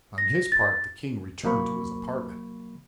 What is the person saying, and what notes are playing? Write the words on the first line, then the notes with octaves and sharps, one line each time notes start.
On his part the king returned to his apartment.
A#6
A6
C2 F#3 A#3 B5 C#6